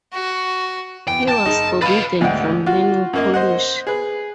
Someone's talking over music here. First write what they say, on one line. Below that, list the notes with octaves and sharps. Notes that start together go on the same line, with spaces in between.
He was forbidden from learning Polish.
F#4
E2 G5
G5 A5 A6
F#1 D#4
B4 D#5 F5 B5 A6
D2 G#2 D#5 F#5 G5
F4 F#4
F#2 A#3 D#5
C5 D#5 F#5
G#4 B4